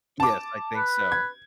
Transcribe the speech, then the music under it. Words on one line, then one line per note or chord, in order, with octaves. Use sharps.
Yes. I think so.
A5 D6
B4
G#6